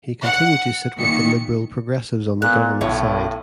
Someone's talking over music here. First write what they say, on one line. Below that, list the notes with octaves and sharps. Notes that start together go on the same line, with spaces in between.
He continued to sit with the Liberal-Progressives, on the government side.
F#5
A#2 D#3 C#7
A#2 B3 F#6
B1 A2 C#5